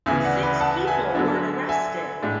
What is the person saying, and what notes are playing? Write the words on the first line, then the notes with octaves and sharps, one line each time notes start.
Six people were arrested.
D2 C#3 E3 B3 E5 G#5
D5 F#5
B4 D5
F#5 A5
E5 G#5
D3 F#3 B3 D4
E5 G#5
A2 G#3 D4